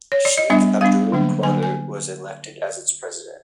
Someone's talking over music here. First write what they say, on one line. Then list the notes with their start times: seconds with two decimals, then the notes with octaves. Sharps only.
Sheikh Abdul Qadir was elected as its president.
0.12 C#5
0.25 D5
0.37 D#5
0.50 G3 B3 D4 E5
0.81 G3 B3 D4 F5
1.12 D3 F#3 A#3 D4
1.43 D3 F#3 A#3 D4 G#5
1.63 G#5